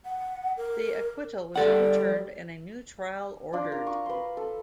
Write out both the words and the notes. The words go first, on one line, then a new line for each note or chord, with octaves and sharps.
The acquittal was overturned and a new trial ordered.
F#5
A#4
G3 A4 D5 F#5
D4 F4 D5
A#4
C#6 D#6
B4 C6
A4